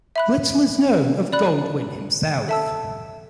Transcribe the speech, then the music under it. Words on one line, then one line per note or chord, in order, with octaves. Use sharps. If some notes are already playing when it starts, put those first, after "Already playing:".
Little is known of Goldwin himself.
E5 B5 F#6
D5 B5 F#6
A4 E5 A5 E6